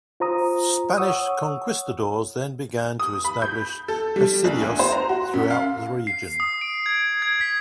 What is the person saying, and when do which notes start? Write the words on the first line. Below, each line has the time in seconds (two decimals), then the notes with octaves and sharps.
Spanish Conquistadores then began to establish presidios throughout the region.
0.20 F4 C5 A#5 D#6
0.97 C#5 F#5 C#6 D#6 E6
2.99 D#6
3.24 B5
3.42 G6
3.88 A4
4.16 G3
4.44 A#1
4.62 D2
4.79 C5
4.92 A#5
5.09 F#4
5.34 F#2
5.50 F5
6.07 C7
6.40 D#6
6.61 D7
6.86 G#6
7.22 G#6
7.41 B6